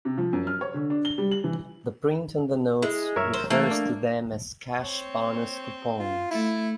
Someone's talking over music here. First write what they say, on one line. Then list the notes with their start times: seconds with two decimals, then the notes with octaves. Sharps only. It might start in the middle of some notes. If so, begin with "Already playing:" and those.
The print on the 'notes' refers to them as "cash bonus coupons".
0.05 C3
0.18 F3
0.33 F#2
0.47 F6
0.61 C#5
0.74 D3
0.90 D4
1.05 G7
1.18 G3
1.31 F#7
1.44 E3
2.82 G#3 E4
3.16 F#2 A#4 C#5 E5
3.34 A1 C5
3.50 E3 A3 A#3
3.71 D4
4.83 C4 C#5
5.99 F4
6.31 A3 E4